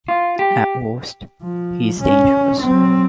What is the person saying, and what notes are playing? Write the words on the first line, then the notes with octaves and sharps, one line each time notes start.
At worst, he's dangerous.
F4
G4
F3
C#4
F#3 C4